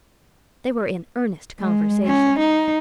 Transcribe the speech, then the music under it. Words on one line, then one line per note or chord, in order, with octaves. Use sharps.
They were in earnest conversation.
G#3
C#4
D#4